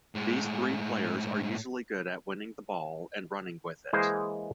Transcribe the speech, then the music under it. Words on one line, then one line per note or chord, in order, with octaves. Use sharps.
These three players are usually good at winning the ball and running with it.
A2 G#3
E3 G#3 A#3 G#4 C5